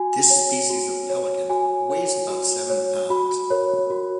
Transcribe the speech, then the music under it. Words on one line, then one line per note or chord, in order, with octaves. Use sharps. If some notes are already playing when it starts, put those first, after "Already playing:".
This species of pelican weighs about seven pounds.
Already playing: F#4 G#5
C#5
F#4
C#5
F#4 G#5
C#5
F#4
C#5
F#4 B5
A#4 C#5
F#4